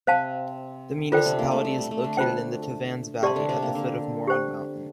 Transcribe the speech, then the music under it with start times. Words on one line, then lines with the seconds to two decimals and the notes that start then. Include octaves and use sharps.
The municipality is located in the Tavannes valley, at the foot of Moron mountain.
0.07 C3 C4 C5 F5 A5
1.12 D3 D4 F4 A4 C5 G5
1.25 C3 C4
1.39 A#3
1.51 A3
1.65 G3
1.79 A3
1.91 A3
2.04 D3 D4
2.17 F4 C5 G5
3.22 C3 C4 G4 D5 A5 C6
3.36 D3 D4
3.49 C3 C4
3.62 A#3
3.75 D3
4.28 G4 C5 G5